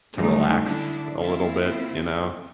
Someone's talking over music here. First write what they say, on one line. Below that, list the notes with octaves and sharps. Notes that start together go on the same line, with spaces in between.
to relax a little bit, you know?
D3 F#3 G3 A3 D4 D#4
D3 D4 E4
A#3 C4 E4 F4